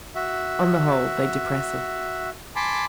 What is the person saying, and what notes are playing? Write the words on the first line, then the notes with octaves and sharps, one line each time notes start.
On the whole they depress us.
F#4 E5
G#5 A5 B5 C6 D6